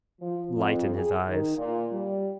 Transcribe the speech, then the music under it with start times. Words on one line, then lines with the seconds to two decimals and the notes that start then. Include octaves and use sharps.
Light in his eyes.
0.22 F3
0.56 F2
0.96 G#4
1.28 D#3
1.58 A#2
1.92 G3